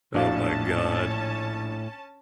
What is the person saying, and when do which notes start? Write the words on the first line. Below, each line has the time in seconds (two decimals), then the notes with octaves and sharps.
Oh my god.
0.14 A#1 A2 C#4 D4 F#4 F5 A5